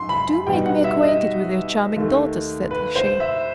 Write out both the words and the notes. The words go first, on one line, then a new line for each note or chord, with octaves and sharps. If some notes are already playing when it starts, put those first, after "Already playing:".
"Do make me acquainted with your charming daughters," said she.
Already playing: F#2 D#4 C6
B5
B5
B2 G3 B3 D#4 G5
F#5
E5
D#5
D#2 D#3 A3
B4
C5
E5